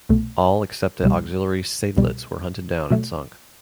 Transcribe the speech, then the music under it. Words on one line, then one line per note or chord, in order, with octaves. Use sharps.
All except the auxiliary "Seydlitz" were hunted down and sunk.
C2 B2 A3
C2 B2 G3
C2 B2 G3
B2 F#3 A3